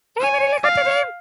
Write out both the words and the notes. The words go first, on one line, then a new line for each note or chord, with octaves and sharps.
He immediately quit the team.
G#5
F5